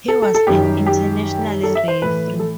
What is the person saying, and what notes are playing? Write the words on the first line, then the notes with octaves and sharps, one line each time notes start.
He was an international referee.
A4
A4
A4
F#2 D#3 G3 G4
G4
A4
E5
C5
A2 E3 A3 B4
A4